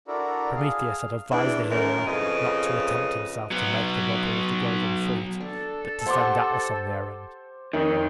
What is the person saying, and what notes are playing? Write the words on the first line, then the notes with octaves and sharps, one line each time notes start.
Prometheus had advised the hero not to attempt himself to make the robbery of the golden fruit, but to send Atlas on the errand.
D4 E4 F#4 A4 A#4 D5
G#4 F5
E2 E3 D4
F#2 A2 D#3 A#4
F2 C#3 B4 D#5
F#3 B3
D4 A4
G4 C5 F#5 C6 D6
F2 D#3 C#5